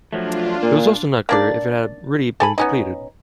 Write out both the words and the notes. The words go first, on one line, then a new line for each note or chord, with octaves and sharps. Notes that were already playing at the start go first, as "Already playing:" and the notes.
It is also not clear if it had really been completed.
F3 F#3 A3 D4 F4
A#2 A#3
A#3 D4 D5
A4 G#5 B5
B3 C#4 D#4